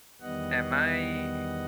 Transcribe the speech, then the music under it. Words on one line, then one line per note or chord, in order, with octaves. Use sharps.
am I
E2 D#3 G3 B3 D#5 F#5